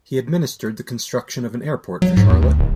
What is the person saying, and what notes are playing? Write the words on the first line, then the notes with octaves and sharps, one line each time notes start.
He administered the construction of an airport for Charlotte.
F#3
G#2
E2
D2
D1